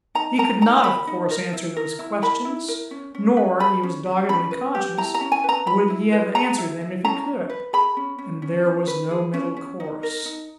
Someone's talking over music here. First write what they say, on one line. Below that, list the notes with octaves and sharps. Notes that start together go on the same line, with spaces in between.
He could not, of course, answer those questions; nor, he was doggedly conscious, would he have answered them if he could--and there was no middle course.
D#4 A#5
A#4 A#5
D#4 A#5
A#4 B5
D#4
A#4
E4
A#4
E4
A#4 B5
E4
A#4
C#4
C#4
B4
G#4 B5
C#4
C#4
C#4 B5
B4
G4
E4 A#5
A#5
C#4
G#5
B4
A#5
E4 B5
E4
B4
G#4 A#5
E4
E4
C#4 A#5
C#4
B4
G#4 B5
C#4
C#4
C#4
C#4
B4
G#4
C#4
C#4
D#4
A#4
D#4